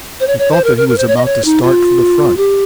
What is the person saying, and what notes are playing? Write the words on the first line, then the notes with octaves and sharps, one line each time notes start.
He thought that he was about to start for the front.
C5
C#5
C#5
C5
A#4
A#4
A#4
C5
C#5
D#5
C#5
D#4
F4
G4